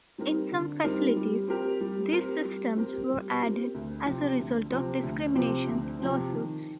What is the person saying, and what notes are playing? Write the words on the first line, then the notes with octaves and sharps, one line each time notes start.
In some facilities, these systems were added as a result of discrimination lawsuits.
G3 C4 D#4 A#4
D3
G3 C4 D#4 A#4
G3
C4 G4 A#4
G3
C4 G4 A#4
G3
C4 G4 A#4
G3
C4 G4 A#4
D2
C3 F3 C4
D2
C3 F3 C4
D2
C3 F3 C4
D2
C3 F3 C4
D#3